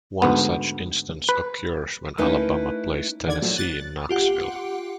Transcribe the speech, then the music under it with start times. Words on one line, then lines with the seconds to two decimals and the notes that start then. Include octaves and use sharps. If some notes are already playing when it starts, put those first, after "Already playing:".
One such instance occurs when Alabama plays Tennessee in Knoxville.
0.22 D2 G#2 B3
1.29 B4
2.18 A3 C#4 D#4 E4 A#4 B4
3.26 E2 D3 D#3 D5 G#6
3.42 A#2 F3 F#3 A3
3.56 F#6 A6
4.09 F4 G4 F#5